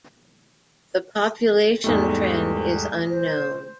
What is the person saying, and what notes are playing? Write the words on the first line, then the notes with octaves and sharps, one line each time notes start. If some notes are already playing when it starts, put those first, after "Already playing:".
The population trend is unknown.
E2 G#2 G3 A3
C5